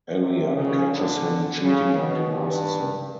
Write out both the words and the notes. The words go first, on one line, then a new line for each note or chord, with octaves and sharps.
Alia catches him cheating and divorces him.
C3
C#3
D3
C#3
B2
G2